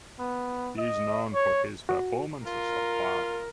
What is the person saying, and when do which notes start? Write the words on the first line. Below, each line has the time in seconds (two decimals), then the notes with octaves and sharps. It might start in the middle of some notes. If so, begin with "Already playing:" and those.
He is known for his performances of Bach.
0.19 B3
0.78 D#5
1.34 C#5
1.89 F#4
2.46 F4 A#4